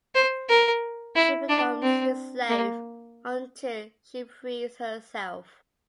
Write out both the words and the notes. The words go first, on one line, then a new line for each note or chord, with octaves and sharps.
She becomes his slave until she frees herself.
C5
A#4
E4
D4
C4
A#3